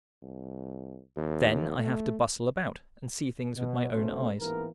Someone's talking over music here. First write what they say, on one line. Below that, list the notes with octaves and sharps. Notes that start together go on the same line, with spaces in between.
Then I have to bustle about and see things with my own eyes.
C2
D#2
A3
B2
B1 B2 A3 C#4 C5
A1 G#2 E3 A#3 B3 A#4